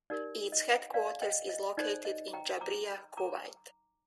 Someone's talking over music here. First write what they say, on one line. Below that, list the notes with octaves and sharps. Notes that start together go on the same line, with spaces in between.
Its headquarters is located in Jabriya, Kuwait.
D#4 G4 A#4 D5
D#5
D5 F5
D#5 G5
D#5
D#4 A4 C5 D5
D#5
G5 A#5
A#5 D6
A#5 D6